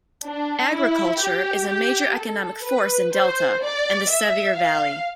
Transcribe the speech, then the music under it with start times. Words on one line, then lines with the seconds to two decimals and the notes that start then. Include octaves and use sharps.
Agriculture is a major economic force in Delta and the Sevier valley.
0.25 D4
0.73 E4
1.21 G4
1.69 G4
2.17 A4
2.66 B4
3.14 C5
3.62 D5
4.11 E5
4.58 F5